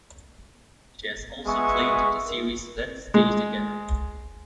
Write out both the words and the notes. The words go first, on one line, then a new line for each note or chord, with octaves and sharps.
She has also played in the series "Let's Stay Together".
G#3 B3 E5 G#5 C#6
G#3